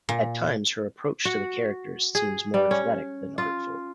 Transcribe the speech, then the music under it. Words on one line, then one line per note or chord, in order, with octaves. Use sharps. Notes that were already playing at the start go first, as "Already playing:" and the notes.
At times her approach to the character seems more athletic than artful.
A#2
F#4
G#4
G3
C#4
F4